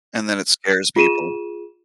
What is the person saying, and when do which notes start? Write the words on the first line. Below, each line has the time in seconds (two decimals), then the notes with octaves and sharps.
And then it scares people.
0.96 F4 G#4 D#7 E7